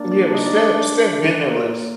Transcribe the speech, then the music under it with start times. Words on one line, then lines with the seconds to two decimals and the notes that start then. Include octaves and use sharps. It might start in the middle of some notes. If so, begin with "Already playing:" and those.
Yeah, but Steph Steph been there less.
Already playing: A#3 D4 A#4 D5
0.11 D4 D5
0.23 D4 D5
0.35 D#4 D#5
0.46 D4 D5
0.58 D4 D5
1.50 A#3 A#4